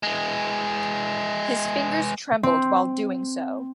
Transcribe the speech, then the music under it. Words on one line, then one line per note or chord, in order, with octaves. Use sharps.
His fingers trembled while doing so.
E3 G#3
C4